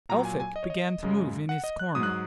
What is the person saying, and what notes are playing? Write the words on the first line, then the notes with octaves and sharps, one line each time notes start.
Elphick began to move in his corner.
A#2 F#3 A#5
G#5
G#5
D#5
C#5
D#5
F#2 C#3 G#3
F#5
D#5
F#6
G#2 F#3 D#6
F#6
D#6